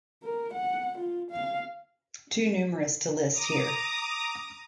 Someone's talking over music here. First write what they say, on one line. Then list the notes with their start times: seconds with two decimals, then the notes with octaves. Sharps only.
Too numerous to list here.
0.23 A#4
0.53 F#5
0.98 F4
1.31 F5
3.32 A#5 D6 D#6